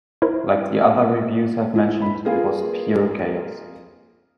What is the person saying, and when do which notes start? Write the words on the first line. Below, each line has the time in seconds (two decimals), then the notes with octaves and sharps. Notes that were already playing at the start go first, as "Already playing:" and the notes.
Like the other reviews have mentioned, it was pure chaos.
0.22 E4 A#4 C5
1.76 E4
2.02 B5
2.25 A#3 F4 G#4 A#4 B4 F5